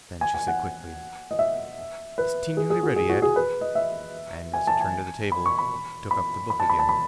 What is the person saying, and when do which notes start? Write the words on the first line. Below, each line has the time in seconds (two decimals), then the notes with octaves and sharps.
Then she said quickly, "Is tea nearly ready, Ed?" and, as he turned to the table, took up the book again.
0.21 G#5
0.34 G#5
0.48 F#5
1.31 D#5
1.39 E5
2.18 B4
2.57 G#4
2.70 G#4
2.83 F#4
2.96 G#4
3.09 F#4
3.22 G#4
3.36 B4
3.61 D#5
3.75 E5
4.54 G#5
4.67 A5
4.81 G#5
5.32 B5
5.46 C#6
5.59 B5
6.11 B5
6.50 B5
6.60 A5
6.70 B5
6.79 A5
6.89 B5